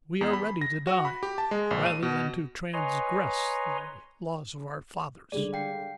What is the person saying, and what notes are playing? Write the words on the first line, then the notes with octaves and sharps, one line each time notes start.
We are ready to die, rather than to transgress the laws of our fathers!'
E2
B5
A#6
F#4
B5
G4
A5
G#3
A#1
D#7
B2
B4 C#5 D#5 G#5 A#5 C6
D3 G3 G#3 D5
F5 G5 C7